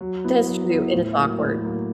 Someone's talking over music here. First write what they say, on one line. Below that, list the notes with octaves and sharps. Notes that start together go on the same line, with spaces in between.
That's true, it is awkward.
F#3
B3 E4
F#3
B3 E4
A2
F#3 A#3
A2
F#3 A#3